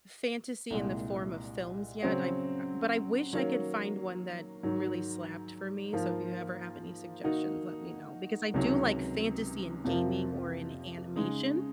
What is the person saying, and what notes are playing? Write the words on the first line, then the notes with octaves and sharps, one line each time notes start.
fantasy in the form of films yet, I've but I wish I could find one that really slapped for me. So if you ever have any suggestions, let me know. Because I do like fantasy in gaming or in animation,
C2 A#2 G#3
C#3 F#3 C4 F#4
D#3 F#3 A#3 C#4
G#2 D#3 F#3
G#2 F3 A#3 F4
D#3 A#3 D#4 F#4
C#2 C3 D#3 F#3
F2 C3 F3 A#3 F4
C#3 G#3 D#4 G#4